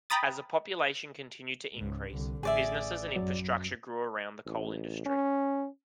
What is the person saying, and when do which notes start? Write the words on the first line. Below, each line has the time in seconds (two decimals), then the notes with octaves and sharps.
As the population continued to increase, businesses and infrastructure grew around the coal industry.
0.10 G5 A#5 B5 D#6 A6
1.74 C#2 G#2
2.12 C2 D3
2.43 A1 G#4 D5 E5
3.16 F#2 F#3
4.46 A1
5.06 C#4